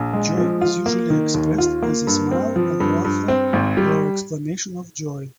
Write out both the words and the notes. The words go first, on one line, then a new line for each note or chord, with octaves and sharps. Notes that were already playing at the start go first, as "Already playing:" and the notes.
Joy is usually expressed as a smile, a laughter or exclamation of joy.
Already playing: A#1
G#3
F3
F4
A#3
D#3
D#2
F4
A#3
G2
C4
F3
G2
G2
C4
G#1
G3